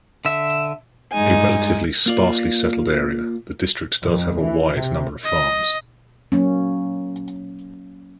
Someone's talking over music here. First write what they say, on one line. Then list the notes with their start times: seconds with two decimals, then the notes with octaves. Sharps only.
A relatively sparsely settled area, the District does have a wide number of farms.
0.25 D3 E5
1.11 G2 G#3 D#4 G#5
2.06 A#3 F4 D5
4.03 F2
4.42 E3
4.77 C3
5.23 D#5
6.32 F#3 A#3 C#4